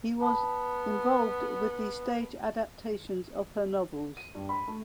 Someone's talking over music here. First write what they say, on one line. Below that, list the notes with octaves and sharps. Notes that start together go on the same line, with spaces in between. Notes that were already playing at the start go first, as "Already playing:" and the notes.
He was involved with the stage adaptations of her novels.
B3 A5 B5
D#7
G2
B5
A3